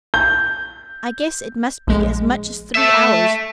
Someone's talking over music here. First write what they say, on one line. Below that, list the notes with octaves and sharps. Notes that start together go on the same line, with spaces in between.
I guess it must be as much as three hours.
G6
A#1 G#3
A4 E5